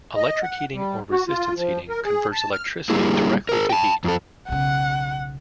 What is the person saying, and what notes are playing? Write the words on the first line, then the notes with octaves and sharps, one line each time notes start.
Electric heating or resistance heating converts electricity directly to heat.
D#5
F#5
G3
F#4
F4
F3
A#4
G#4
A5
F6
D3 G3 A#3 E4 G4 G#4
G#4 A#4
G5 A5
F2 A4
B1 C#3 F#5